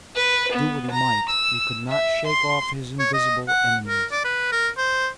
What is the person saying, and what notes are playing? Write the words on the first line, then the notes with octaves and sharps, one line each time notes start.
Do what he might, he could not shake off his invisible enemies.
B4
B3
A#5
E6
E5
C6
C#5
D#5
F#5
A#4
D5
B4
A#4
C5